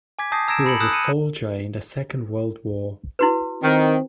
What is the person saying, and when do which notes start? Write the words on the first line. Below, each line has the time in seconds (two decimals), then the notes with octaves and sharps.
He was a soldier in the Second World War.
0.19 G#5 D6 G#6 B6
0.32 G#5 A5 D#6 G6 A#6 C7
0.48 A#5 E6 G#6 A#6 D7 E7
0.66 B5 A#6 C#7 D7 F#7
0.80 D#6 E6 F#6 G6 E7
0.93 C#7 D#7 E7
3.19 E4 F#4 B4
3.62 D#3 C4